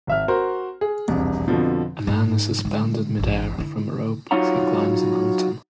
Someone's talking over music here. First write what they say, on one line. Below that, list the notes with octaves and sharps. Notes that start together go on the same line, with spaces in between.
A man is suspended midair from a rope as he climbs a mountain.
G#1 E5 F6
F#4 A#4 C5
G#4
E1 C2 F2
F2 B2 D3 F3
G#2 D#4
D3 G#3
A1 G2
D3 E4
F#3 D#4 F4 C#5 F#5 A#5